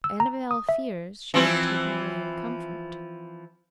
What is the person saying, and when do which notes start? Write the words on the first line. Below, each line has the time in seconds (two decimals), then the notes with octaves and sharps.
"Annabel fears she has taken away your comfort."
0.04 E6
0.20 A#5
0.51 D#6
0.69 E5
1.34 E3 F3 C4